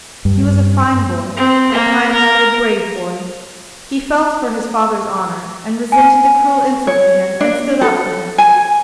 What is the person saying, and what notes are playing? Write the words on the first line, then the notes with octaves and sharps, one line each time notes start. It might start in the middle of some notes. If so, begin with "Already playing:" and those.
He was a fine boy, a kind-hearted, brave boy, he felt for his father's honor and resented the cruel insult to him and stood up for him.
G2
C4
A#3
A#4
G#5
C#5
D4
A4
G#5